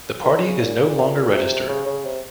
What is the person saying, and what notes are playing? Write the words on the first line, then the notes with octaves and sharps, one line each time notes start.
The party is no longer registered.
D#3
C#3
A#2
A#2
A#2
C3
C#3
C#3
C3